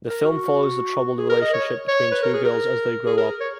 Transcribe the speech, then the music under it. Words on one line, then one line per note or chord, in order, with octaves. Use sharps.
The film follows the troubled relationship between two girls as they grow up.
A#4
F#4
G#4
A#4
D#5
C#5
C#5
B4
A#4
G#4
A#4
G#4
A#4
C#5